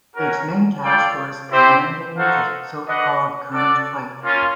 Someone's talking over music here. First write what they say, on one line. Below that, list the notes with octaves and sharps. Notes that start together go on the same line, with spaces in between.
Its main task was commanding the so-called "current fight".
C#4 F#4 A#4
F4 A4 D5 G5
C4 E4 G4 C5
D#4 F#4 A4 C5 F5
D4 F#4 B4 D#5 F#5
F#4 A4 D5
A#3 C#4 F4